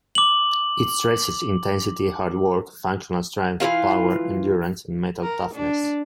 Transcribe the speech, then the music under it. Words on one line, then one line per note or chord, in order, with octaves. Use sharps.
It stresses intensity, hard work, functional strength, power, endurance and mental toughness.
D6 F#7
E3 E4 F4 F5
A#4
D4